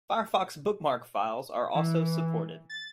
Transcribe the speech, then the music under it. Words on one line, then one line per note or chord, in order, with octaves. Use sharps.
Firefox bookmark files are also supported.
E3
A6